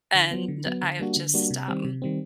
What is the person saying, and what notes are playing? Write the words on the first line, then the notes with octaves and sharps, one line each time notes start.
and I have just, um
D3
F#3 B3
D3
F#3 B3
D3
G3 A#3 D4 F#4
D3
G3 A#3 D4 F#4
C3
D#3 G3 C4
C3
D#3 G3 C4